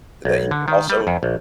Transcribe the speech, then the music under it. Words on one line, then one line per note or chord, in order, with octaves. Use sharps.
that you can also
B1
D3
D#3
G3
F2
A#1